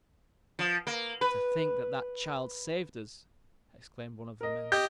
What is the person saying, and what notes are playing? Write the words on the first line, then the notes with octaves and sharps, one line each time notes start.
"To think that that child saved us!" exclaimed one of the men.
F3
A#3
B4
A#4 D#5
G4 D#5 G6